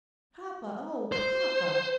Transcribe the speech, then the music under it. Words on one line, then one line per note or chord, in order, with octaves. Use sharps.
"Papa--oh, papa!"
C5